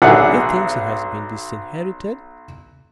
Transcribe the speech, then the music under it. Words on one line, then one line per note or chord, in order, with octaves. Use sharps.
"He thinks he has been disinherited?"
B1 D4 G#4 E5 F#5 F#6